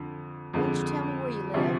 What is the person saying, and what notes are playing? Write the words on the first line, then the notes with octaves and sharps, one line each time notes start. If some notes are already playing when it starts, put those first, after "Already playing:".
Won't you tell me where you live?
Already playing: F2 D3
F2 D3 G#3
D2 C3 F3